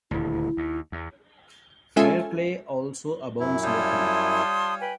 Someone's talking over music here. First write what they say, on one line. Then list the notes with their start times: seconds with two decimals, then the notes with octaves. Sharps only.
Fire clay also abounds locally.
0.11 D#1 D2 E4
0.57 D#2
0.92 E2
1.96 G#3 C#4 F4 A4 E5 G#5
3.40 F#2 E4
3.64 G3 F4 C#5 A5 C6 D#6
4.79 B4 G5 G#5